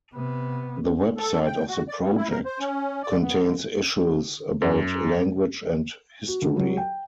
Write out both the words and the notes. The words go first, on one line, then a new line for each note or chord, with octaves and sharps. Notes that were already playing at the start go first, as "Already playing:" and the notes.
The website of the project contains issues about language and history.
C3 B3
A4
G5
F#4
D5
G3
E4
A#4
C5
C#4
D5
B3
D3
F#2
F#4
D2
F#3
G5